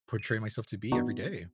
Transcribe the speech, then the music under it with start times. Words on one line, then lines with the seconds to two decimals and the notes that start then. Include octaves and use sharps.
portray myself to be every day.
0.19 D#7
0.92 E3 B3 D4 D#4 F#4